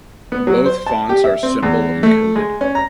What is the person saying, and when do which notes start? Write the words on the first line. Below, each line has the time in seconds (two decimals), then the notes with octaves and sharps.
Both fonts are Symbol-encoded.
0.32 B3
0.47 F#3
0.66 C5
0.87 A5
1.09 G4
1.24 E5
1.43 C4
1.63 E2
2.03 A3
2.36 G#3
2.61 C#4
2.75 A#5